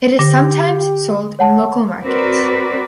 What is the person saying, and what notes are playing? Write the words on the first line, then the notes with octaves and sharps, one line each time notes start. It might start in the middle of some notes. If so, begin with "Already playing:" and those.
It is sometimes sold in local markets.
D3 G4 A#6
C#5 F#5 A5
C4 F#4 A#4 B4 D5